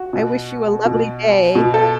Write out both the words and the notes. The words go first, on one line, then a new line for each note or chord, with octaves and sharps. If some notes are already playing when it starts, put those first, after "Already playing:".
I wish you a lovely day.
Already playing: F#4
B2
B2
B2
A4